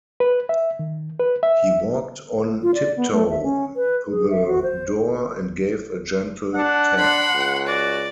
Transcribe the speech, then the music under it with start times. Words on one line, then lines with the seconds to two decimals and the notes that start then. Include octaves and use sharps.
He walked on tiptoe to the door, and gave a gentle tap.
0.20 B4
0.49 E5
0.79 D#3
1.20 B4
1.43 E5
2.63 F4
2.74 D5
2.97 B3
3.12 A3
3.30 E5
3.43 C#4
3.76 B4
4.09 G#4
4.30 E5
4.47 F#4
4.63 C5
6.54 D4 F#5
6.98 D4 B5 C6
7.34 C#2
7.67 F#4 D5